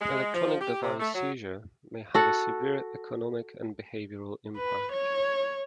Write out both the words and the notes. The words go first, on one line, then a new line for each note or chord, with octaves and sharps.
Electronic device seizure may have a severe economic and behavioral impact.
G#3
F3
G4
C3
A3
F#3
F#4 A4 F#5
B4
C#5